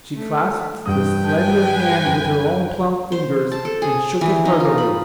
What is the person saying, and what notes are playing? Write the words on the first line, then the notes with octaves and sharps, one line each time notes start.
She clasped the slender hand with her own plump fingers, and shook it heartily.
A3
G2 E3 G3 G5 D#6
B4 G#5 A5 G6
F#2
C5
A5
A4
G#4
E3
D#4
F4
B5